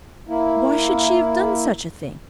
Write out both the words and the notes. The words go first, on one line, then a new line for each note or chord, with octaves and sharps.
Why should she have done such a thing?
A#3 E4